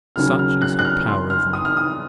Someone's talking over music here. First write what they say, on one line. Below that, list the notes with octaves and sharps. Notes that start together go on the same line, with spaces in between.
Such is her power over me!
D#2 C#3 F#3 C#4 F6
F6
F#6
F#6
F6
C6
F6
D#6
F6
D#6